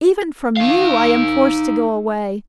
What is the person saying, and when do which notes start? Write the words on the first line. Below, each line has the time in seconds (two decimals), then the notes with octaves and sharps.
Even from you I am forced to go away.
0.57 D#4 F5